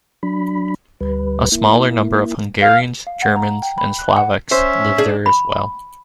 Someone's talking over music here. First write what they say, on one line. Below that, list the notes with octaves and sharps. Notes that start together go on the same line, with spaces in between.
A smaller number of Hungarians, Germans and Slovaks lived there as well.
F#3 D4 B5
D2 G3 B4
A#3 E4
F5
F5
F#5
A#5
G5
B5
F#6
F#5
C#4 C5 E5
D4 G#4
B5